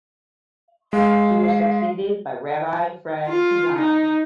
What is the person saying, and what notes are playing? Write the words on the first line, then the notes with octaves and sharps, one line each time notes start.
He was succeeded by Rabbi Fred Kazan.
G#3 F5
F4
D#4